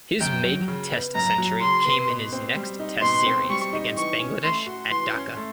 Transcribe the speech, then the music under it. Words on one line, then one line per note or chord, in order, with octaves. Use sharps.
His maiden Test century came in his next Test series against Bangladesh at Dhaka.
F#2 G5
F#3
C#3
B3
F#2 A#5
F#3
C#3 C6
B3
B2
C4
G3
D#4
B2 C6
C4
G3 C#6
D#4
E3 C#6
C#4
A3 C6
F#4
E3 C6
C#4
A3